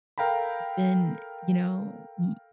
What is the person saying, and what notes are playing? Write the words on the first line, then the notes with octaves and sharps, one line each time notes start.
been, you know, m
A4 A#4 F5 G5 A#5 B5